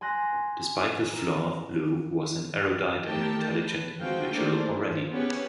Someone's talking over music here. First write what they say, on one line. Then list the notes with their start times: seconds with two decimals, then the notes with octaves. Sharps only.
Despite this flaw, Lou was an erudite and intelligent individual already.
0.01 G#5 C6 F#6 A#6
1.11 A#4 E7
3.04 D#3 A3 G4 A#4 G5 A5
3.55 B4
3.99 F3 G#3 C4 F#4 F5 G5
4.31 A3 A#3 D4 A#4 C5
4.74 F3
5.11 B3 C#4 G4 G#4 B4 C#5